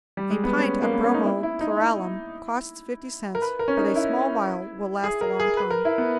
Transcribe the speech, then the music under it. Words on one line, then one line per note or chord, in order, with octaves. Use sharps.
A pint of bromo chloralum costs fifty cents, but a small vial will last a long time.
G3
G#3
B3
C#4
A#3
B3
C#4
D#4
E4
E4
D#4
E4
A#4
B4
A#4
C#4
D#4
E4
G#4
A#4
G#4
B4
A#4
E4
B3